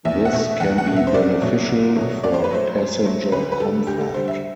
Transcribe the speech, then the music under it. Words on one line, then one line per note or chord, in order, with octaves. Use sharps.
This can be beneficial for passenger comfort.
E2 E5
F#5
B2 A3 E5
E2 F#5
F#5
B2 A3
E5
C5
C2 D5
B2 F#3 A3
C2
B2 F#3 A3
F#2 D5
C5
B4
F#3 A3 C5
F#2
F#3 A3
D2 B4
B4
D3 G3 A4
D2 G4
A4
D3 G3 C5
E5